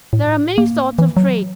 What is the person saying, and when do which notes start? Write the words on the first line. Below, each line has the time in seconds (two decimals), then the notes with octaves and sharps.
There are many sorts of trades.
0.13 A2
0.58 A#3
0.99 E3
1.17 F#3